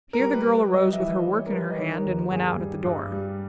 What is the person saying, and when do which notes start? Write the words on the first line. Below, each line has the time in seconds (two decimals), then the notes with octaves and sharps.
Here the girl arose with her work in her hand, and went out at the door.
0.13 A#4
0.20 G3
0.33 B4
0.47 G3
0.73 G3 D#5
0.86 D#5
0.93 E5
0.99 E3
1.13 D#5
1.26 G3
1.33 C#5
1.46 A#4
1.52 G3 B4
1.70 D#5
1.78 D#3 C#5
1.85 B4
1.93 A#4
2.06 D#2
2.31 G2 G#4
2.58 G3
2.85 G2
3.12 G3